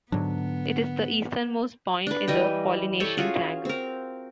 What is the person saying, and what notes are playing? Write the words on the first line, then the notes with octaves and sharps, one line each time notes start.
It is the easternmost point in the Polynesian Triangle.
G#2 D3 F#3 B3 D4
D4 B4
E3 G3 D#5 G5
G4 A4 C#5 E5
C#4 F4 F#4 G#4
C4 A#4